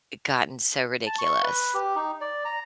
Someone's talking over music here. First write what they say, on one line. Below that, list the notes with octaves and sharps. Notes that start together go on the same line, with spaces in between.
I gotten so ridiculous.
A5
C#6
B4
G4
D#4
D5
A#5